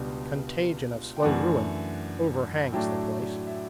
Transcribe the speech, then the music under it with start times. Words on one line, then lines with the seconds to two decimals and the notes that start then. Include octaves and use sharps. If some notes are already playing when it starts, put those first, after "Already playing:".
Contagion of slow ruin overhangs the place.
Already playing: C#2 B2 G3 D4
1.17 G5
1.23 F#2 E3 A3 D4 F#5
2.72 A2 F#3 A3 D4 G5
3.22 D5
3.47 E5